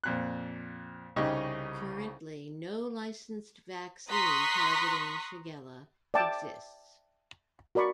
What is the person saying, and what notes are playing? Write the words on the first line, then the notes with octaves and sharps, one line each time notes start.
Currently, no licensed vaccine targeting "Shigella" exists.
F2 A#2 F#6
C2 C#3 D#4 G4 D#5 C#6
A#5 C6 C#6 D#6 F#6 B6
D5 E5 G5 A5 D6
F#4 A#4 D5 B5 C#6